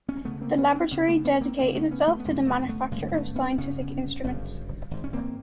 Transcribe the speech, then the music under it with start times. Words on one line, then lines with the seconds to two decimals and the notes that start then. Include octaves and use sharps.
The Laboratory dedicated itself to the manufacture of scientific instruments.
0.08 B3 C#4
0.25 D2 C#3 A3 B3
0.41 A#3 C4
0.58 B3 C#4
0.75 C4 D4
0.91 D2 C#3 B3 C#4
1.08 A3 B3
1.25 B3 C#4
1.41 A#3 C4
1.58 D2 C#3 A#3 C4
1.75 A3 B3
1.91 B3 C#4
2.08 A3 B3
2.20 B3
2.24 G1 F#2 C#3 G#3 A#3
2.46 A3 B3
2.69 A3 B3
2.91 G1 F#2 C#3 G#3 A#3
3.09 C4
3.13 A3 B3
3.36 B3 C#4
3.58 G1 F#2 C#3 B3 C#4
4.24 G1 F#2 C#3
4.91 G#1 G#2
5.04 C#4
5.13 A#3 C4